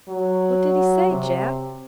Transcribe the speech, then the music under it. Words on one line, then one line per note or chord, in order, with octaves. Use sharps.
"What did he say, Jap?"
F#3
C3